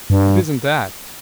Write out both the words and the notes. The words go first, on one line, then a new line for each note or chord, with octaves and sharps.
"It isn't that."
G2